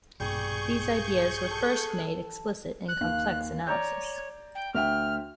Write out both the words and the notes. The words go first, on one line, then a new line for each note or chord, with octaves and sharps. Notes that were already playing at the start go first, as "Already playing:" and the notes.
These ideas were first made explicit in complex analysis.
A#1 G2 B2 G3 G4 G#4 C#6 G6
A4
F#6
D#2 F5
C#5 D5 A#5 G6
G5
D2 E5 G5 F6